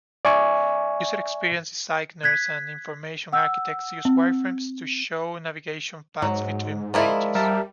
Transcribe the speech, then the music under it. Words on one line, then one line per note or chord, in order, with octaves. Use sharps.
User experience designers and information architects use wireframes to show navigation paths between pages.
D5 E5 G#5 C#6
F#6 G#6 B6
F#5 E6
C4
G#2 F#3
D#3 F3 G#3 E4 A#4 D5
G3 A#4 E5 A5